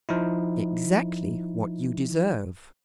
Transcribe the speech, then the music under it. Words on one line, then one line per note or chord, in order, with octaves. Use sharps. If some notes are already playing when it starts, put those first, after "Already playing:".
Exactly what you deserve.
F3 D#4 E4